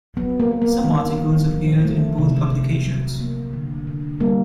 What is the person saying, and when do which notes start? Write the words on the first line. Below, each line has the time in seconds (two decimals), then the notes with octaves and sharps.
Some articles appeared in both publications.
0.17 F#3 B3
0.40 A#3
0.51 A#3
0.62 A#3
0.84 D#3
1.18 D#3
1.51 F3
1.85 A3
2.18 C3
2.52 C3
2.86 F#3
3.20 A#3
3.53 D3
3.87 D3
4.20 G3 A#3